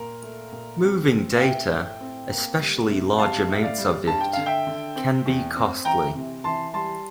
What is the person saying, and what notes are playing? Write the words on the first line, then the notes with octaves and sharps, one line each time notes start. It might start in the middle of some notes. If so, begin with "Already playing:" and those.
Moving data, especially large amounts of it, can be costly.
Already playing: A#2 A#4
A3
A#2
C4
C4
F5
A2 E5 G5
A2
C4
A#3
G3
C3
G3 F5 A5
A2
D5 F5
G3
G2 A5
G5
D3 F5
E5 G5
D3
C4
E2
C4
E3 G5 A#5
C3
E3 A5 C6
G3 A5 C6